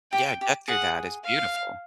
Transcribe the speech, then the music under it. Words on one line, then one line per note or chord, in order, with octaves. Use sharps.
Yeah, get through that is beautiful.
G4 G5
G4
G#4 F#5
F5